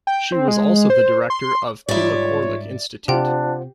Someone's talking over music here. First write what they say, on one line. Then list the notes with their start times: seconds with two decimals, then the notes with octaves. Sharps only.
She was also the director of Pylyp Orlyk Institute.
0.07 G5
0.32 C4
0.48 G#3
0.90 C5
1.30 C6
1.89 G#2 G3 D#4 F4 C#5 D5 E5
3.08 C3 D4 F4 G4 C5 F#5 G5